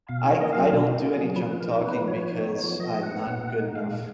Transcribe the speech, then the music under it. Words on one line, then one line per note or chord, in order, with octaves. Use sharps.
I I don't do any junk-talking, because I'm not good enough.
B2 F5
D#4 C#5
A#3 D#5
F5
F#3
F5
B2 F#4
D#4 F#4
A#3
G#4
F#3
F3 B4
F3
A#4
D#4
B3 B4
F3
C#5
F3
D#4
B3
F3
F3 D#5
D#4
F#5
B3
A#2
A#2
D#4
G#3 F5
A#2